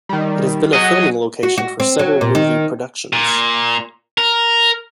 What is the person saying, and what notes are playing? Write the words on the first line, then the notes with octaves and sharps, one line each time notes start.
It has been a filming location for several movie productions.
D#3 G3
F#3 F#4 G#4 D#5
F#4
F#4
C4
F#3
A#2
D#3
A#2
A#4